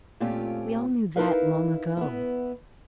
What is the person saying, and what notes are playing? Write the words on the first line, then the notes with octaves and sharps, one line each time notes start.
'We all knew that long ago.'
A#2 A3 C4 C#4 F4 G4
D#4 E4 A#4 B4 F5
B3 E4